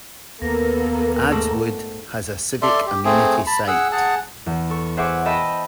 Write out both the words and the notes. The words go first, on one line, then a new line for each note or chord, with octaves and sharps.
Adswood has a civic amenity site.
D#2 A#3 B3 A4 A#5
G#2 A3 F#5
A4 D5 E5 C6
G4
A3 C4 G#4
A5 B5
G#4 F#5 E6
G#4 F#5 A5
E2
A4 C#6
G#4 C5 E5 F#5 C#6 D6
C5 D#5 E5 G5 A5 B5